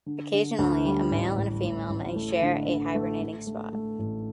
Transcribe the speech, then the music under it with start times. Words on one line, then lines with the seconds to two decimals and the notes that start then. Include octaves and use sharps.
Occasionally a male and female may share a hibernating spot.
0.06 D3
0.33 D3
0.59 D2
0.85 G3
1.11 A1
1.37 A1
1.64 A2
1.90 A1
2.16 A3
2.42 D3
2.68 D3
2.95 A3
3.21 A3
3.47 A3
3.73 A3
3.99 A1